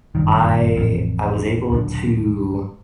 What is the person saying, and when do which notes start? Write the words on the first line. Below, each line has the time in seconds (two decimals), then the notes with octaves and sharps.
I I was able to
0.15 F#1 G2 D#3
0.76 A1 F2
1.70 D#1 B1 D3